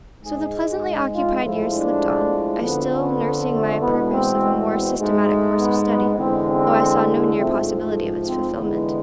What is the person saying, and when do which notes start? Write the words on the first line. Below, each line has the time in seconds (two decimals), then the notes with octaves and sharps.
So the pleasantly occupied years slipped on, I still nursing my purpose of a more systematic course of study, though I saw no near possibility of its fulfillment.
0.24 G#2 G#3 G#4
1.13 F4
1.43 A2 F3 G#3 E4
1.72 D4
2.61 F2 D3 F3 B3
2.91 B3
3.51 A3
3.80 E2 B2 G#3 B3
4.10 C4
4.69 C4
4.99 G#2 G#3 A3
5.28 A3
5.58 B3
5.87 B3
6.17 E2 D3 G#3 C4
6.46 C4
7.36 G#2 F3 A3 C4
7.65 A3
8.25 C4
8.55 E2 D3 G#3 B3